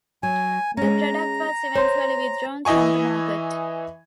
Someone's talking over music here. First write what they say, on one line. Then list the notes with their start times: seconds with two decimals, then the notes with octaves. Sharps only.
The product was eventually withdrawn from the market.
0.23 F#3 G#5
0.77 G#3 C#4 A#5
1.75 C5 C#5 C6
2.65 E3 E4 D#5 G#5 C#6